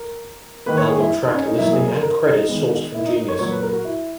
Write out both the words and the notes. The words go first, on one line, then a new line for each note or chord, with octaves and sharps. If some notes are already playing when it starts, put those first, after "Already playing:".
Album track listing and credits sourced from Genius.
Already playing: A#4
D#3 A#3 B4
C#5
G#4
E4
D#4
C#4
D#4
B2 F#3 A#3 E4
G#4
A#4
A#4
D#4
D#3 G#3 B3
E4
D#4
D#4
C#5
A#2 F#3 A#3 C#5
B4
A#4
F#4
E4